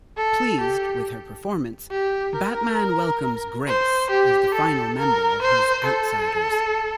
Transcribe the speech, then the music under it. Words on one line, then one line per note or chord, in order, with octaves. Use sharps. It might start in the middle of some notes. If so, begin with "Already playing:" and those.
Pleased with her performance, Batman welcomes Grace as the final member of his Outsiders.
A4
G4
G4
A#4
C5
G4
A4
A#4
C5
A4